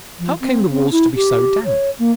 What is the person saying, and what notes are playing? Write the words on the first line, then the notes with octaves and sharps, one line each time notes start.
How came the walls to be so damp?
F3
C4
C4
E4
G4
C#5
A#3